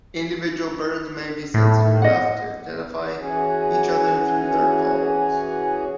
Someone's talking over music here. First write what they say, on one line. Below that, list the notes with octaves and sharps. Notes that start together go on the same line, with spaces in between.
Individual birds may be sensitive enough to identify each other through their calls.
A2
D#5 F#5
E3 C#4 F#4 G#4